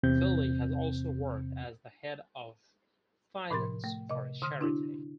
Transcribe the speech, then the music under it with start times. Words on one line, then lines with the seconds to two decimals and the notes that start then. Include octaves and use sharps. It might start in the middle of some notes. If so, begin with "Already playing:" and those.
Fielding has also worked as the head of finance for a charity.
0.03 E2 C3 C4 G6
3.50 A2 C3 F3 A#4 C6 A6
3.84 A3
4.09 C3 D#5
4.42 D3 C6 D#6 F6
4.61 D4 E4 F#4